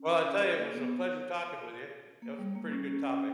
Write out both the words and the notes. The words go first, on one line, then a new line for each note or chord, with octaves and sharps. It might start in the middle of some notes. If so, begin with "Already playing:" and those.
Well, I tell you, it was a pleasure talking with you. It was pretty good topic.
Already playing: C#4
A#3
B3
A#3
G3
A#3
C#4